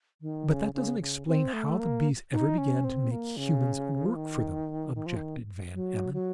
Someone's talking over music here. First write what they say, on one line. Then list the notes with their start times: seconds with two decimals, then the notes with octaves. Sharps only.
"But that doesn't explain how the bees ever began to make humans work for them," objected Van Emmon.
0.21 D#3
0.48 C#3
0.74 C#3
1.01 C#3
1.27 C4
1.53 A3
1.80 A#3
2.32 D#4
2.58 C#4
2.85 C4
3.11 A#3
3.37 C#3
4.06 F3
4.16 D#3
4.95 D#3
5.06 F3
5.16 D#3
5.74 F#3
6.14 F#3